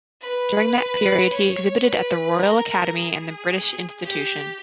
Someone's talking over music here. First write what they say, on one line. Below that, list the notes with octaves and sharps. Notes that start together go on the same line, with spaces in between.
During that period he exhibited at the Royal Academy and the British Institution.
B4
B4
C#5
B4
A#4
G#4
G4